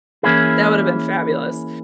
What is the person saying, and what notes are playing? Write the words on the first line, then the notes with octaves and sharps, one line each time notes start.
That would have been fabulous.
E3 A#3 C#4 E4 G#4